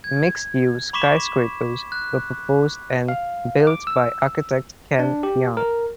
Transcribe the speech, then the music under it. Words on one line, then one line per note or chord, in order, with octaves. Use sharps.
Mixed-use skyscrapers were proposed and built by architect Ken Yeang.
G#6
B5 C#6 D6 B6 E7
F#6
F5
D6
E6
D4
G4
A#4